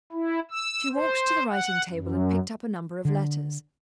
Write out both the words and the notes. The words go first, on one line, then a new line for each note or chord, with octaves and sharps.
She walked to the writing-table and picked up a number of letters.
E4
E6
C5
F#5
F#2
D3